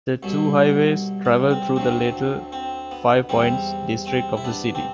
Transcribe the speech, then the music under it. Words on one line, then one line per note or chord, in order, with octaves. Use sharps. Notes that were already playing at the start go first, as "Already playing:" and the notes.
The two highways travel through the Little Five Points district of the city.
C2 B2 F#3
B3
C4
D2 D3 F#3 C4
C4
B3
E2 C3 G3 C4
C4
E4
B3 D4
C4